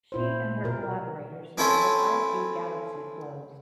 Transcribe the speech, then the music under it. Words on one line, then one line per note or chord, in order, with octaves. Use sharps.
She and her collaborators discovered high-speed galaxy flows.
A#2 E4 C5
B2 A#4
C4 C#4 E4 A4 C5 C#5